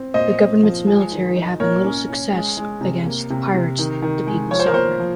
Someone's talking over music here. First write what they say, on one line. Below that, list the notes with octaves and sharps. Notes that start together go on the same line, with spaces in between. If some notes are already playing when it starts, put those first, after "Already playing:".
The government's military having little success against the pirates, the people suffered.
Already playing: C4
A#2 C5 D#5
C4
F3
G#3
D#3
D#4
A#2 A#4 C#5
C#4
C#4
G#3
G#3
C3
A#3
C3
C3
D#3
D#3
G#3
F3 C#5
C5
A#4
A#3 C5
F3